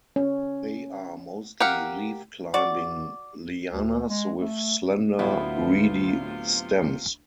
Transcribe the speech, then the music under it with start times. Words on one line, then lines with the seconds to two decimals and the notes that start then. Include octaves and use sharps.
They are mostly leaf-climbing lianas with slender, reedy stems.
0.16 C#4
1.60 G4 A#4 F5 F#5
2.54 F#4 D5
3.73 D2
4.09 G#3
4.41 A3
5.19 D2 A2 C3 F3 F#3 B3 E4 F4